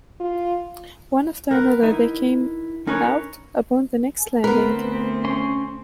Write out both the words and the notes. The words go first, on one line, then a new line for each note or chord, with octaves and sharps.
One after another they came out upon the next landing.
F4
A#4 B4 F#5
D#4 E4
C#4 D#4 A#4 B4 C#5 G#5
D2 B3 C4 A#4 B4
C#4 C6